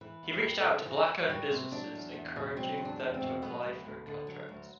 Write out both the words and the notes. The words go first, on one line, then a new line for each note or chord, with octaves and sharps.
He reached out to black-owned businesses, encouraging them to apply for contracts.
E3 B4
E2
B4
G3
A4
C3
E3 F#4
E2
G3 F#4
C3
F#3 D4
E2
E2
B2
F#3 C4
E2
D4
E2
C4
B2
F#3 B3
D2
D2
D3
F#3
D2